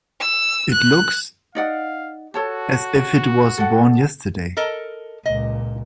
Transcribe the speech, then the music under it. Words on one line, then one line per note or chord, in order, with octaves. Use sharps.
It looks as if it was born yesterday.
E6
F#6
D#4 D5 F5 F#5
F#4 A4 C#5 A5
A4 F#5
A4 A#4 D#5
C#2 A#2 D#5